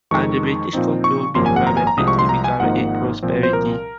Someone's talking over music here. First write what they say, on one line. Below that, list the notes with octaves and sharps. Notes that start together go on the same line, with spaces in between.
Under British control Berar rapidly recovered its prosperity.
F2 D#3 G#3 D#4 C#6
A#2 F3 C4 D#4
C#6
G#1 F#2 F3 A#3 C6
G#5
F#5
A#5
G#5
A#5
C2 C3 F3 G#3 D#6
C#6
C6
A#5
G#5
G#1 G#2 F3 A#3 D#4 F#5
C2 A#2 F3 C4
C5
A#4